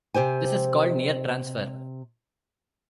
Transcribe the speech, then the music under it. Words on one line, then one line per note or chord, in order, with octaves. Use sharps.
This is called near transfer.
C3 G4 C5 G#5